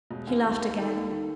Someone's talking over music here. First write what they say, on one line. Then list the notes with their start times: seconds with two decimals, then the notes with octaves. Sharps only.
He laughed again.
0.11 E1
0.27 D#2
0.43 D#2
0.61 D#2
0.77 D#3 A4
0.93 D#2
1.10 D#3